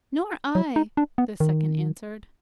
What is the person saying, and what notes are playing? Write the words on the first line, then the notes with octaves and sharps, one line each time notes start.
"Nor I," the second answered.
F#3
D#4
D4
B3
D#3